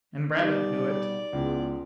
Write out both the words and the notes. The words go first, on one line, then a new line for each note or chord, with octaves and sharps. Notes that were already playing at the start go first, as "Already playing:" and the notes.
And Braham knew it.
B2 G3 D#4 G4 D5
C#2 B3 E4 G#4